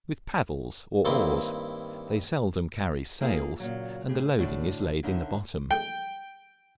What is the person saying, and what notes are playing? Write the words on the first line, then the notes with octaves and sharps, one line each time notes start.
With paddles, or oars; they seldom carry sails, and the loading is laid in the bottom.
G2 D#3 A#3 C4 E4 C6
A#3 D#4 F4 G#4
A#2 C#3 F#3
A2 G4 G#4
A2 D3 D4 E4 F#4 C#5
D3 D#3 C#4 D#4 E4 E5
G5